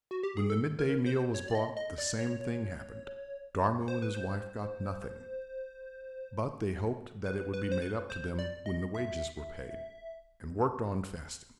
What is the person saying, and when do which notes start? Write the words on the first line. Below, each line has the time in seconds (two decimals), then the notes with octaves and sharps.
When the midday meal was brought the same thing happened, Dharmu and his wife got nothing; but they hoped that it would be made up to them when the wages were paid, and worked on fasting.
0.11 F#4
0.23 G4
0.37 G#4
0.50 A4
0.79 A#4
1.06 C5
1.34 C#5
1.48 D5
1.55 D#5
1.77 D#5
1.98 D5
2.19 C#5
3.88 C5
4.02 B4
4.15 C5
7.26 B4
7.54 B4
7.72 C5
7.82 B4
8.10 C5
8.39 D5
8.66 D#5
8.95 E5